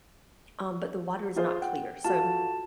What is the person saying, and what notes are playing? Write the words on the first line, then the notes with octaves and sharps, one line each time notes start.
um, but the water is not clear, so
F4 G#4 C5
F#5 G5
F4 F#4 A4 A5